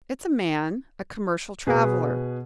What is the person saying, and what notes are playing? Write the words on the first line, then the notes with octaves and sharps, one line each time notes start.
It's a man--a commercial traveler.
B2 G#4 B4